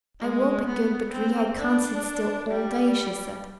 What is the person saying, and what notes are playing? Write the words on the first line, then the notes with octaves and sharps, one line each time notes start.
"I will be good, but really I can't sit still all day," she said.
G#3
B3
C4
D4
G3